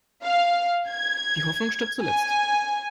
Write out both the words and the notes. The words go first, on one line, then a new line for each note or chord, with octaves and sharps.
Die Hoffnung stirbt zuletzt.
F5
G#6
G#5